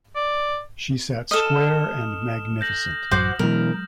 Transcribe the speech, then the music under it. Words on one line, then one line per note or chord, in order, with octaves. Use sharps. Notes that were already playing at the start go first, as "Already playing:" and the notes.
She sat square and magnificent.
D5
A4 D#5 D#6 F6 E7
G6 A#6 F#7
A1 F#2 F#3 F#4 C5 D6
B2 E3 F#3 G#3 A#4